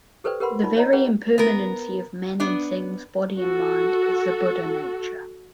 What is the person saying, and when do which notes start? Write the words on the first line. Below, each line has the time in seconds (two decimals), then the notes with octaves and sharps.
The very impermanency of men and things, body and mind, is the Buddha nature.
0.24 G4 A4 B4 C5 D5 G5
0.40 G4 A#4 B4 F#5 B5 C6
0.63 D#4 F4 D5 B5
0.77 C#5 D#5 A#5
0.93 G#4 B4 C#5 D5 F#5 G5
1.38 B3 A#4
2.40 B3 D4
3.38 F#4 A4